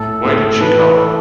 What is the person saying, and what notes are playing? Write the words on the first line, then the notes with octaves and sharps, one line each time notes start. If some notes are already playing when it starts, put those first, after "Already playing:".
Why did she come?
Already playing: A2 A4
A2
A4
E3 B4
B4
A4